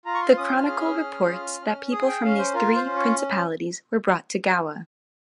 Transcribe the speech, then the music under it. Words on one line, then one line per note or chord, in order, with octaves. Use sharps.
The chronicle reports that people from these three principalities were brought to Gowa.
F4 A#5
C#6
C6
C#4 D#6
G6
F6
G#4
C#4
F4
C#4
G#4 D#6
G5
C#4 F5
C5
F4 A#4
C5
C#4
C#5